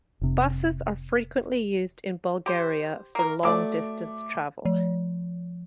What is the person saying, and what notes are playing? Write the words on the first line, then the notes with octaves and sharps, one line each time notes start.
Buses are frequently used in Bulgaria for long-distance travel.
F1 C3
G4 C5
A#3 A#4
F#3 A3 D5 D6
F3